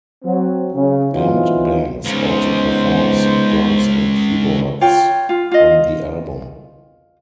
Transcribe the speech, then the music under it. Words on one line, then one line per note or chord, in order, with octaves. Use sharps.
Ant Banks also performs drums and keyboards on the album.
F#3 C4
C#3
E3 F#3 B3 C4 D#4 F4
C#2 C#3 B3 D#4 C5
F4 C#5 G5
F4
F4 D#5